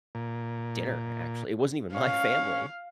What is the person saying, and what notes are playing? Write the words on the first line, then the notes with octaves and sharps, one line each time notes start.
dinner, actually. It wasn't even my family,
A#2
C#4 F5